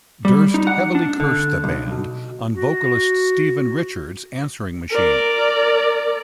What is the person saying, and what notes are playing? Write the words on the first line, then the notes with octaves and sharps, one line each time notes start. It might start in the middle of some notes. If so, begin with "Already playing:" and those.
Durst heavily cursed the band on vocalist Stephen Richards' answering machine.
G3
D#4
F#5
D4
D3
B1
B2
F#4
A#4 D5